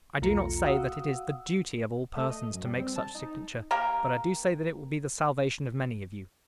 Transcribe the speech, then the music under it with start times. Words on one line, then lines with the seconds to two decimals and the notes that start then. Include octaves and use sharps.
I do not say that it is the duty of all persons to make such signature; but I do say that it will be the salvation of many of you.
0.21 B1 E2 A3 F4 A#5 C#7
0.64 F#4 F5 F#5 D#6 E6
2.16 A3
2.30 D#5
2.53 F#2
2.65 G3
2.79 C4
2.96 A5
3.15 D#4
3.71 A#3 G4 A#4